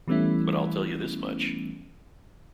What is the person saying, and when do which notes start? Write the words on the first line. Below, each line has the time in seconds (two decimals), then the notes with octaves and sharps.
But I'll tell you this much.
0.08 E3 G3 A3 B3 C#4 E4